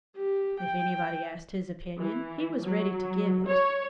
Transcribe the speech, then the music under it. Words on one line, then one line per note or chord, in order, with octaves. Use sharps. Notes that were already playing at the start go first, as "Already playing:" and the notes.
If anybody asked his opinion he was ready to give it.
G4
G5
E3
F#3
C#5